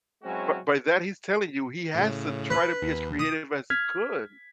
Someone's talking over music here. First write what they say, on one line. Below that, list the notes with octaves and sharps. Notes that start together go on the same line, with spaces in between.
b by that he's telling you he has to try to be as creative as he could.
F#3 G#3 C4 C#4 E4 F#4
A2 C#3
B4
D#2
D#6
F6 G#6 B6